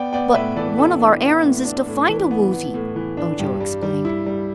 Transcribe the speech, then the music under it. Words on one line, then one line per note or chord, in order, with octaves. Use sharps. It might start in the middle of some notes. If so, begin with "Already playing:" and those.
"But one of our errands is to find a Woozy," Ojo explained.
Already playing: B3 D5 G5
B3 D5 G5
A2 B4 E5
E3 A4 D5
B3 A4
D4
B3
A2
D4
A2
E3
B3
B3
A2
E3
D4
G2 G4
G3
G3
E4
G3